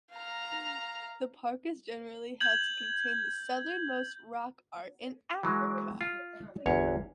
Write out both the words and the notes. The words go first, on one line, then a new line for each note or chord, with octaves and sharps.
The park is generally held to contain the southernmost rock art in Africa.
F5 A#5
G6 G#6 F#7
E3 F#3 G#3
F4
G1 E2 C#5